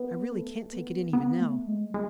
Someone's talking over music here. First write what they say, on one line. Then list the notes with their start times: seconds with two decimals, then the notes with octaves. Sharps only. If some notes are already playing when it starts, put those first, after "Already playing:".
I really can't take it in even now....
Already playing: B3
0.32 A3
0.73 B3
1.13 B3
1.40 A3
1.67 G#3
1.94 G#3